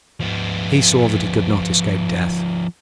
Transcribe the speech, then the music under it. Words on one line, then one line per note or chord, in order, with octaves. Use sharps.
He saw that he could not escape death.
F3 B3